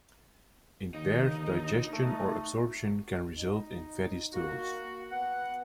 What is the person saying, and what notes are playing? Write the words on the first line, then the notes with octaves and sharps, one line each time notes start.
Impaired digestion or absorption can result in fatty stools.
D#2 D3 D#3 D#4
A3 D#6 F#6 A6
D#4
A#3 F#4
B3 F#5